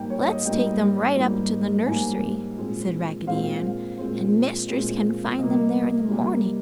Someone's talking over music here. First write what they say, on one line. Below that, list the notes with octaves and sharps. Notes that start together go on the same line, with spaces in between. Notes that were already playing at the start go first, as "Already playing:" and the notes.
"Let's take them right up to the nursery!" said Raggedy Ann, "And Mistress can find them there in the morning!"
Already playing: G#2 G3 A#3 G5
C#5
D#5
G#2 G3 A#3 G5
G#2 G3 A#3
G#2 G3 A#3 G#5
A#2 G#3 C4
A#2 G#3 C4 F5
A#2 G#3 C4
A#2 G#3 C4
C3 G3 A#3 D#5
C3 G3 A#3